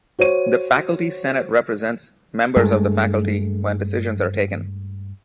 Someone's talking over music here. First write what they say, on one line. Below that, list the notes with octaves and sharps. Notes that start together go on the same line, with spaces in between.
The faculty senate represents members of the faculty when decisions are taken.
F#4 C5 C#5 D#7
G2 G#3 A3